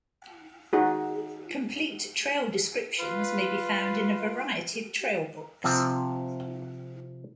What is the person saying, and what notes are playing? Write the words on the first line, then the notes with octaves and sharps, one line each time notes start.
Complete trail descriptions may be found in a variety of trailbooks.
D#4 F#4 G#4
F4 B4
C3 F3 C4